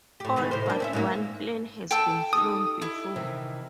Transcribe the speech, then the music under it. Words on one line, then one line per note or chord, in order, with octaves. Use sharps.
All but one plane has been flown before.
A2 G4
G#2 D#3 E3
A2 C3 C5
A#3 D4
C4 C#4 E5
G#2 F#3 A#3
A4 G5 A5 E6
D#4 G4 A4 D#6
E4
C3 D#3 E3